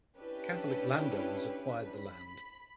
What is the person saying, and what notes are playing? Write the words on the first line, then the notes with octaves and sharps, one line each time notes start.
Catholic landowners acquired the land.
C#4 D4 E4 G4 B4
B5